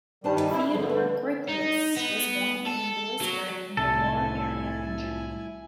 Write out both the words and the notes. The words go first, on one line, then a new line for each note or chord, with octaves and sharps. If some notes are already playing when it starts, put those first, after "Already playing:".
Theodor Curtius was born in Duisburg in the Ruhr area in Germany.
D#3 G3 D4 C5 A5
E4 G#5
C4 D4 E4 G4
D3 F3 G3 G#4
B4
D#4
B3
A4
F#3
C2 A2 C3 E4 A4 G#5